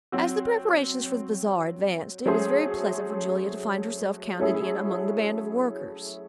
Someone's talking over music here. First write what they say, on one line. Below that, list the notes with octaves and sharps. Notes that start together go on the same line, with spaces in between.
As the preparations for the Bazaar advanced it was very pleasant for Julia to find herself counted in among the band of workers.
F#3 C4 F#4
F#3 A3 C#4 G#4 C5
F#3 A3 C#4 E4 G#4